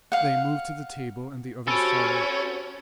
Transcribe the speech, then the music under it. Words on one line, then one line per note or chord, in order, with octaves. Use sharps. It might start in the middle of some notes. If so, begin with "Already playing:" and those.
They moved to the table and the others followed.
F5 F#5
C#4 F#4 G4 A4 C5 B5 A6 D7